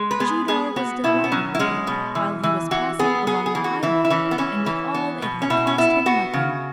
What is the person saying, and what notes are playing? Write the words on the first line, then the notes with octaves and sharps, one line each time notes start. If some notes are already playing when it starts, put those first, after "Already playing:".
Judar was delighted with it while he was passing along the highway and withal it had cost him nothing.
Already playing: G#3
B4
B3 G#4
B3 G#4
B3 F#4
B2 E4
B3
F#3 C#4
E4
G#3 C#4
B2
E3
E3
E3 F#4
B3 G#4
B3 G#4
G#4
E3
F#4
E3 E4
E4
E3 C#4
B3
E3 C#4
E3
B3
B2
C#4
B2 E4
C#4
B3 E4
B3 F#4
C#3